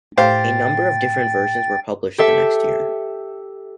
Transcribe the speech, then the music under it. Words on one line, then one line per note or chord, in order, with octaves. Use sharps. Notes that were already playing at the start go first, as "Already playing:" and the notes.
A number of different versions were published the next year.
A2 G4 C5 F5 G5 A6
G4 A4 E5